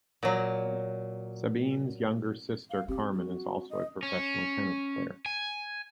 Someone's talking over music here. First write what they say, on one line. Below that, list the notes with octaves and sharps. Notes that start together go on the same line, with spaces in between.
Sabine's younger sister, Carmen, is also a professional tennis player.
A#2 F#3
F5
C4 G4
F#4
D#5
C#4
G#5